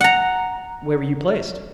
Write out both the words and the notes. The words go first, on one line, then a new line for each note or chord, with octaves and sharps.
"Where were you placed?"
F#5 A#5